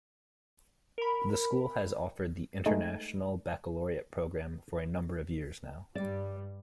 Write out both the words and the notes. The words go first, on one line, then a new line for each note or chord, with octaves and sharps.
The school has offered the International Baccalaureate program for a number of years now.
A#4 B5
G#3 A3 D#4
G2 G3 D5